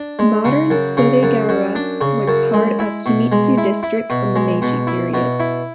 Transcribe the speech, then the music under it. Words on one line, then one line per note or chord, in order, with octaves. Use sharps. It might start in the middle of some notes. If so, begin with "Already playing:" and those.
Modern Sodegaura was part of Kimitsu District from the Meiji period.
Already playing: D4
G#3
C#3
F#2
C#3
F#2
F#2
D4
C#3
F#2
G#3
E4
B2
G#3
E4
E4
B2
G#3
B2
E4
B2
E4